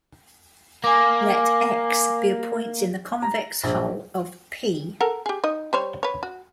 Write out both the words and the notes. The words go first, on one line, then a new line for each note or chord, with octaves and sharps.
Let x be a point in the convex hull of "P".
A#3 G#5 D6
A#5
A#1
A4 A#4 F#5
G4 G#4
D#4 D#5
G3 C5 C#5
B4 C#5
F#4